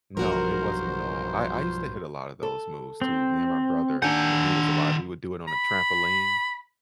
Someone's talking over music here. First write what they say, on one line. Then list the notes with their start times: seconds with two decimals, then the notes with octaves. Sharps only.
No, it wasn't at all. I I used to hit a lot of those moves too. Me and my brother- when he was alive, we would do it on a trampoline
0.17 B1 G2 F3 F#4 A#4 C5
2.43 A4
3.02 C4
4.02 D#2 D#3 D4 F#5 G#5 G6
5.48 B5